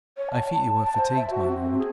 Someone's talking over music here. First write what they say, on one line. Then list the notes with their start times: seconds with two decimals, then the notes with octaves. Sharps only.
'I fear you are fatigued, my lord.
0.17 C#5
0.32 A5
0.84 A5
0.97 C5
1.16 E5
1.30 F#4
1.48 C4
1.78 G#4